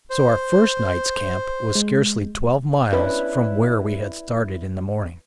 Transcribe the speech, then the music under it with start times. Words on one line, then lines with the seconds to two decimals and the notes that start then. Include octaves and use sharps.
So our first night's camp was scarcely twelve miles from where we had started in the morning.
0.10 C5
1.75 G#3
2.93 C#4 D4 E4 B4